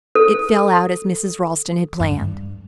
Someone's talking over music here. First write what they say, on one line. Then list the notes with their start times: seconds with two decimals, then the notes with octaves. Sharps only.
It fell out as Mrs. Ralston had planned.
0.15 A4
2.00 G2